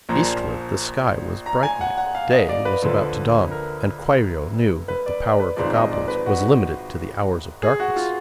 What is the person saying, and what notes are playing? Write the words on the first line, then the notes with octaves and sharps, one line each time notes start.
Eastward the sky was brightening; day was about to dawn; and Kwairyo knew that the power of the goblins was limited to the hours of darkness.
A#1 A#2 F3 A#5
A#5
G#5
F#5
F#5
F5
D#5
D5
B4
D2 D3 F3
A#4
B4
D5
D5
B4
G#1 G#2 F3 D5
D#5
D5
B4
F#4
G#4
F#4
F4